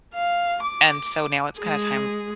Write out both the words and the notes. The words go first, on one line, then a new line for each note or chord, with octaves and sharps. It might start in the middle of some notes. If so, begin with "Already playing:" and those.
and, so now it's kinda time
F5
D6
G#3 G#4